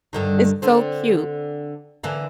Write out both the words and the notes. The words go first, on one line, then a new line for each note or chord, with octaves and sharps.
It's so cute
G2 D3 D#3
D3 C4
D3 E3 A#3